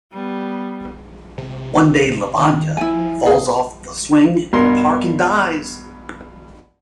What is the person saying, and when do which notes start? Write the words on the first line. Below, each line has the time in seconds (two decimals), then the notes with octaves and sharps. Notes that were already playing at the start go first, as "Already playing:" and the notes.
One day, Lavanya falls off the swing in a park and dies.
0.12 G3 B3
1.38 C3
2.37 D#3
2.77 F3 E4 G#5
3.26 C#2 G#4
4.53 G2 B2 A#4 C6